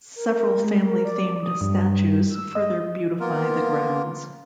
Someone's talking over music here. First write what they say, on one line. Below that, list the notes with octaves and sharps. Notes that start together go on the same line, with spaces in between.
Several family-themed statues further beautify the grounds.
A#4
G#3
A#4
D5
D#6
G2
E6
D#5
A#3 B3 F4 A#4